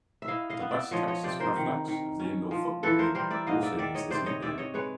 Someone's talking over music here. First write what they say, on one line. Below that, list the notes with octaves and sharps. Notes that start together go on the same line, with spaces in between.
The West Texas Roughnecks of the Indoor Football League also use this nickname.
E5
E4 D#5 F5
D#5 F5
B3
D5 E5
F3 C#5 D#5
C#5 D#5
C3 C5 D5
A#4 C5
D#3
D#3
C#4
F3
E3 A4 B4
A#4 C5
G3 A#4 C5
D5 E5
G#2 D#5 F5
D5 E5
D#3 D5 E5
C#5 D#5
C3 C5 D5
C#5 D#5
C3 D5 E5
C#5 D#5
G#3 B4 C#5